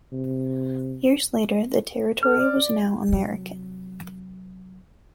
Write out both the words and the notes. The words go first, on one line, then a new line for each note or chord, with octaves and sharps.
Years later, the territory was now American.
C3
A4 F6
D5
C3 F#3